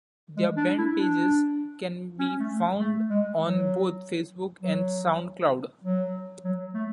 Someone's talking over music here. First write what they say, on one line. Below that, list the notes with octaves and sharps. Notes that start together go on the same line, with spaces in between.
Their band pages can be found on both Facebook and SoundCloud.
G#3
D4
E4
D4
C#4
A3
A3
G#3
F#3
F#3
F#3
F#3
A3